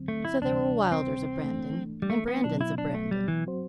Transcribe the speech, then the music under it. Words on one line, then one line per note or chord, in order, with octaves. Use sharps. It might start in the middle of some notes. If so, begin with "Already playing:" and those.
So there were Wylders of Brandon, and Brandons of Brandon.
Already playing: D2 D3 F#3 C4
A3
E4
D2 C3 E3 G3 D4
C4
E3 A3 D4
G3
A3
B3
B2 F#3 B3 D4
E4
D4
A3
G3
E3
F#3 C4 F#4 C5